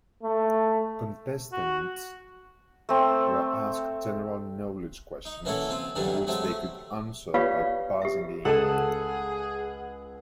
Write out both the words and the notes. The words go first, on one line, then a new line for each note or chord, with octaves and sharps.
Contestants were asked general knowledge questions, which they could answer by buzzing in.
A3
F#4
A3 C4
D#4
E3 A#3 C#4 E4 F#4 A4
C4 F4
F#2 A#2 D3 E3 F#3 G3
F#3 G#3 A3 C4
A3
F4 G4 B4 C#5 D5 F5
G4 E5
C#2 G#4 A4 F#5 A5